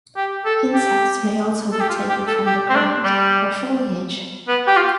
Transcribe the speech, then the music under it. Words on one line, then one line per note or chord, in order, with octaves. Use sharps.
Insects may also be taken from the ground or foliage.
G4
A4
G4
A4
G4
F4
G4
A4
G4
C4
D4
G3
B3
G4
F4